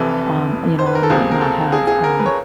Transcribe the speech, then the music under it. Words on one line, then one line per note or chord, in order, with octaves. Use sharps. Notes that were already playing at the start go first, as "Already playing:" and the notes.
um, you know, I might not have, um,
Already playing: F1 F2 C3 E3 A4
C5
B4
A#4
A4
C#2 C3 F3 A#3 G#4
A#4
A4
G#4
G#4
A#4
B4
C#5